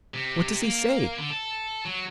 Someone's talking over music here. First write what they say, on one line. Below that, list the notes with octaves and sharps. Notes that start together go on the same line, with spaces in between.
What does he say?
C3
A#3
D3
A4
F#3